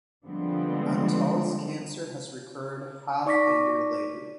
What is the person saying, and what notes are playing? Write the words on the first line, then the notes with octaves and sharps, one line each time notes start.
Antall's cancer has recurred half a year later.
D3 F3 G3 G#3 B3 C4
D#4 D5 C#6 D6 A#6 B6